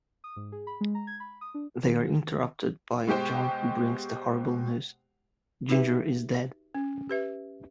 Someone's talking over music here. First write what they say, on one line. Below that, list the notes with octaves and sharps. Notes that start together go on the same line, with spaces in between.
They are interrupted by John who brings the horrible news - Ginger is dead.
D#6
G#2
G#4
B5
G#3
A#5
G#6
B5
D#6
D4
D#3
B2 G#3 G4 C5 G5
D#4 F#4 G4 B4 E5
C#4
G4 B4 E5